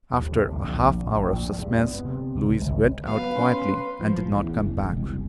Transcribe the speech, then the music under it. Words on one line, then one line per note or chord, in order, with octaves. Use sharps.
After a half-hour of suspense, Louise went out quietly, and did not come back.
D#2
C3
D2
A#1
A1
A#1
E2
G2
B3
C3
C#2
G#1
F#3 B3 B4 F5
C#4 C6
F3
A1
E2
F#1
E1
C2
F#1